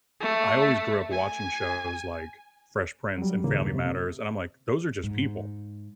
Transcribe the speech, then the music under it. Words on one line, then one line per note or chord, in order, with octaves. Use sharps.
I always grew up watching shows like Fresh Prince and Family Matters, and I'm like, "Those are just people,"
A3
G#5
F#3 G3
D#2 A2 C#3 A#3
C3
G#2